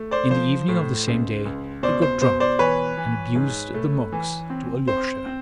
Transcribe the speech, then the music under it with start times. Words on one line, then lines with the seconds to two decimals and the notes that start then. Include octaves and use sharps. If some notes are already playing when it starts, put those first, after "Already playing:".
In the evening of the same day he got drunk and abused the monks to Alyosha.
Already playing: A3
0.11 C5 D5
0.30 F3 C5
0.68 A2
1.07 C#2
1.45 C#2
1.83 B2 C5 D5
2.02 C5
2.21 B2 C5
2.40 C5 D5
2.59 E3 B4 C#5
2.97 E3
3.35 G#2
3.74 A3
4.12 E3
4.50 C4
4.88 C4 C5
5.26 C4